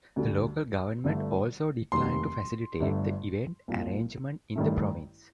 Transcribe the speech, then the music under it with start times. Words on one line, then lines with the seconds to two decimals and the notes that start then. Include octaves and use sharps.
The local government also declined to facilitate the event arrangement in the province.
0.16 D2 D3 G3
1.04 G1 G2 D3 A3
1.92 F1 D#2 D#3 G3 C6
2.80 G1 G2 D3 A3
3.68 C2 A#2 F3
4.56 A1 G2 D#3 A3